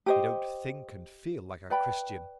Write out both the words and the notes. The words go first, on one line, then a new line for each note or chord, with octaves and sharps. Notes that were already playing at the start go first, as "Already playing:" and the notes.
He don't think and feel like a Christian.
G4 C5 D#5
B4 D5 G5 B5